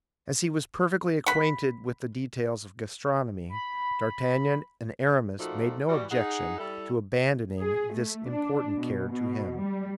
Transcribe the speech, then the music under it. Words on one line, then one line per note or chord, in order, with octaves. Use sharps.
As he was perfectly acquainted with the details of gastronomy, d'Artagnan and Aramis made no objection to abandoning this important care to him.
F#5 B5
B5
A#2 F3 A3 D#4 F#4 D5
E3 G3 F#4
D#4 G#4 F#5
G3 E4 A4
G#4
A3
D4
B2
B2
G3